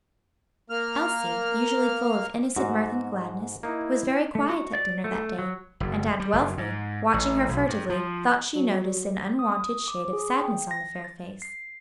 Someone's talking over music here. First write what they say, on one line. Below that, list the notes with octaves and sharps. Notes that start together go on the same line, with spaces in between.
Elsie, usually full of innocent mirth and gladness, was very quiet at dinner that day, and Aunt Wealthy, watching her furtively, thought she noticed an unwonted shade of sadness on the fair face.
A#3 F6
G#2 F#4
A#3 D#4 E4
A3
F#4
D5
A3
F#3
F#1
G3
F#1
G#2
A1
B1
G2
F3
F#3
D#6
D6
G#4
G5
A#6
A6
C7